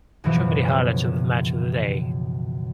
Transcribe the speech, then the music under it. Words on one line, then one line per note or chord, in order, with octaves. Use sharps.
Show me the highlights of the match of the day.
C#2 F#2 B2 E3 F3